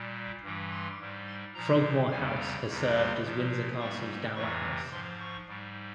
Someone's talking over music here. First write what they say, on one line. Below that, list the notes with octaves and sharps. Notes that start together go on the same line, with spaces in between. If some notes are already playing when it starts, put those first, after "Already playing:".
Frogmore House has served as Windsor Castle's dower house.
Already playing: A#2 G3
G2 E3 G3
C6
G#2 G3
C6
A#2 F3 A#5
E2 C#3 G3 G#5
A#5
E2 C3 G3
C6
A#2 F3
G#2 G3 C#6
F2 C3 E3 C#6
G#2 F3 C6
C#6
G#2 G3